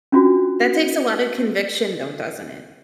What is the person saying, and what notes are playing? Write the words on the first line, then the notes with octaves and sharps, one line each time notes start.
That takes a lot of conviction though, doesn't it?
C#4 D4 F4 F#4